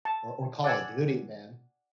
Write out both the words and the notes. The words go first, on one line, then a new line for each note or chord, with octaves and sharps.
or or Call of Duty, man.
A5
D5 F#5 G#5 E6